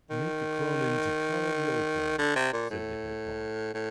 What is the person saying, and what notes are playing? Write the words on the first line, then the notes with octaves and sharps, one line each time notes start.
Make a cronan to Conall Yellowclaw,' said the head bard.
D#3
D3
C3
A#2
A2
A2